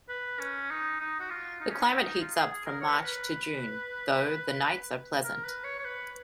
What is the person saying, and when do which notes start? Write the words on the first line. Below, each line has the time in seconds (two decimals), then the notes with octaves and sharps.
The climate heats up from March to June, though the nights are pleasant.
0.09 B4
0.40 C#4
0.70 D#4
1.00 D#4
1.20 F#4
1.30 F4
1.61 D#4
1.71 C#4
1.81 D#4
1.92 C#4
2.01 D#4
2.21 F4
2.36 G#4
2.51 G#4
2.66 A#4
2.82 C#5
2.89 B4
2.97 A#4
3.05 B4
5.24 A#4
5.45 B4
5.64 C#5
5.79 C#5
5.84 B4